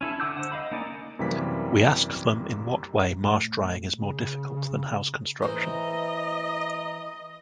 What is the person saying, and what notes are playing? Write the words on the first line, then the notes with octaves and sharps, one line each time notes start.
We asked them in what way marsh drying is more difficult than house construction.
C#4 E4 A4
D3 F#5 D6 E6 G6
C5 F#5
D#5 F5 B5
A#3 C#4 D#4 D5
F#2 C3 E3 G3 A#3 B6
A#2 A3
C#3
E3 E4 B4 C5 D#5 A#5